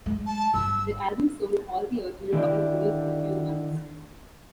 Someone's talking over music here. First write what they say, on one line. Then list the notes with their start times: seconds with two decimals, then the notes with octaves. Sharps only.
The album sold all the original copies produced in a few months.
0.06 G#3
0.26 A5
0.54 G1 E6
2.33 D3 D#3 E4 G4 D5